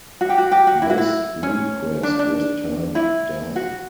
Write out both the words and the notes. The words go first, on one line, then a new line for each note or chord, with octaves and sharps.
This request was turned down.
F#4
G4
F#4
G4
F#4
E4
F#4
E4
C#4
D4
D4
E4
F#4